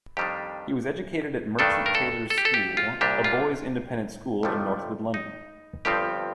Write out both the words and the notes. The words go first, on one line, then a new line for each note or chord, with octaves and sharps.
He was educated at Merchant Taylors' School, a boys' independent school in Northwood, London.
F2 D#3 G3 D4 G4
G2 D#3 A3 D4 A4
A#4
A4
A4
G4
A4
G4
F4
C2 A#2 G3 D4 G4
F4
G1 F2 C3 F3 A3
D#4
G1 G2 F3 C4 G4